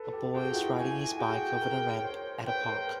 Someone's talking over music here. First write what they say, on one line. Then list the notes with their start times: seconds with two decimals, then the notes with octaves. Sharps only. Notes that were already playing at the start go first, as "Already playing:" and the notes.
A boy is riding his bike over a ramp at a park.
Already playing: A4 B4
0.13 G4 A4
0.35 F#4 G#4 G5
0.51 F4
0.55 E4 F#4
0.77 G#5
1.19 F#4 G#4 G5
1.62 G#4 A#4
1.95 C#5
2.04 A#4 C5
2.47 B4 C#5 G5
2.68 A#4 C5